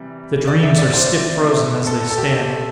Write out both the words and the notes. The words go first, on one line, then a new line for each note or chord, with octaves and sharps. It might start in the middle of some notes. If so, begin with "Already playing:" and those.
The dreams are stiff-frozen as they stand.
Already playing: C3 E3 G3
D5
E5
D5
C5
D3 A3
A4
A4
G4